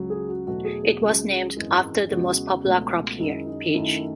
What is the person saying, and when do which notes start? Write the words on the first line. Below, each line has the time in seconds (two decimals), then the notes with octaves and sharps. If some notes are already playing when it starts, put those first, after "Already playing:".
It was named after the most popular crop here, peach.
Already playing: C#2 C#3 F#3
0.10 G#4
0.28 F#4
0.47 E2 B2 F#3 A3 F#4
0.65 G#4
0.84 G#4
1.01 C#2 C#3 F#3
1.57 G#1 F#2 E3 G#3
2.10 E2 C#3 G#3 F#4
2.65 C#2 B2 A3
3.19 F#2 D#3 G#3 E4
3.47 D#4
3.74 F#2 D#3 A3 E4